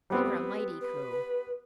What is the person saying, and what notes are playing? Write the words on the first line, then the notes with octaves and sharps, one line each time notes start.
They were a mighty crew.
G3 B3 C4 B5
B4
B4